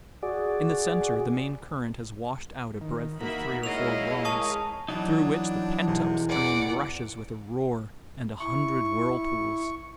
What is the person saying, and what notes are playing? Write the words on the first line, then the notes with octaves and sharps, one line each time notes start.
In the centre, the main current has washed out a breadth of three or four rods, through which the pent-up stream rushes with a roar and a hundred whirlpools.
F#4 G#4 D5
D#3
A#3 D#4 F#4 A#4 E5 B5
G#3 E4 C#5 D#5 F5 F7
G#4 A#4 A5 C#6 D#6
E3 F#3 D4 D#4
E1 C3
E2 D5 F#5
E4 C#6